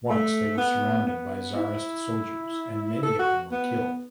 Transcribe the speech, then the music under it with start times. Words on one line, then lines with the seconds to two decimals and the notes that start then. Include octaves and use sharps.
Once they there surrounded by Tsarist soldiers and many of them were killed.
0.10 A3
0.57 B3
1.06 B3
1.56 E4
3.02 A4
3.19 F#4
3.51 B3